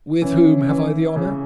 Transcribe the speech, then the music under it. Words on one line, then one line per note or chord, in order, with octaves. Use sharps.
"With whom have I the honour?"
E3 C#4
E3
C#3